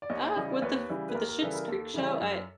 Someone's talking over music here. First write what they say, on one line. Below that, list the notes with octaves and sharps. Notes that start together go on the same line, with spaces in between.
Uh, with the f with the Schitt's Creek show, I
D5
D#2 C#5 D#5
C#3 E3 G3 D#5
D5
D#2 B4 C#5
C#3 E3 G3
B4
D#2 A#4
A#4
C#3 E3 G3 A4 B4
A#4
D#2 A4
C#3 E3 G3
F#2